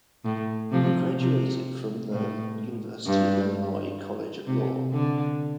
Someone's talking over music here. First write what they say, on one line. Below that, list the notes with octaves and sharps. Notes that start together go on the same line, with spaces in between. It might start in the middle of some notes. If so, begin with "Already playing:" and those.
He graduated from the University of Illinois College of Law.
A2
C3 F3
C3
A2
G2
C3
D3